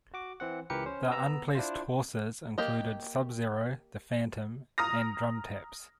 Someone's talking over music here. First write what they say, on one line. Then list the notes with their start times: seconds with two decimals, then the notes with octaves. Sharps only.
The unplaced horses included Subzero, The Phantom and Drum Taps.
0.14 F#4 D6
0.40 E3 C4 F#5
0.70 C#2 E3 G4 A#4 B4 C#7
0.86 C#4 C5
1.11 B3 A#5 E6
1.55 D4 E4 F4 C5
2.58 A#3 G4 D#5
4.78 A#5 D#6 F6 A#6